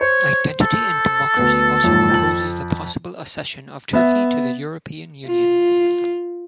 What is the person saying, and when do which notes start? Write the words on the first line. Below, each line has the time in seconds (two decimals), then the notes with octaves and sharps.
Identity and Democracy also opposes the possible accession of Turkey to the European Union.
0.01 C5 C#5
0.61 A4
1.36 D2 B3
1.83 F#1 F2 G#2
2.10 F2 A5 F#7
3.93 B3 E5
5.27 F4